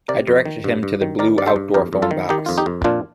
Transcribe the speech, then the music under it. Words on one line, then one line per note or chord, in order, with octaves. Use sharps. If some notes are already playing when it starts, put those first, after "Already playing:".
I directed him to the blue outdoor phone box.
C3 A#4 D5
F2
D#3
G2
G2
D#3
D#3 A#4 D5
G2 D5
A4 C5
G2
F2 G4 A#4
F2
F4 A4
D#3
D#3 D#4 G4
F2 F4
D#4 G4
F2
A#2 D4 F4